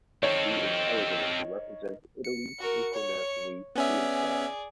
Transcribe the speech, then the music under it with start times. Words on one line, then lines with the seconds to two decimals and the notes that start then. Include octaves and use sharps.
He is eligible to represent Italy internationally through his father.
0.23 D#3 C4 A4 C#5
2.25 C#7
2.59 F#4 A#4
2.93 C#5
3.75 B3 C#4 G#4 D5 E5